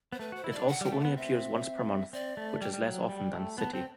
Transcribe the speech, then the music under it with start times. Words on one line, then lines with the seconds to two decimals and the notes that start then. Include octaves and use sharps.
It also only appears once per month, which is less often than "City".
0.12 B3 C5
0.19 A3 B4
0.32 F#4 C5
0.44 E4
0.52 D4 D5
0.68 F#5
0.81 G3 G5
0.92 A3
1.00 B3 F#5
1.17 C4 E5
2.13 C4 D5
2.37 A3
2.61 G3 G5
2.73 G3
2.86 F#3
3.09 G3
3.34 A3
3.58 B3 A5
3.73 C4 G5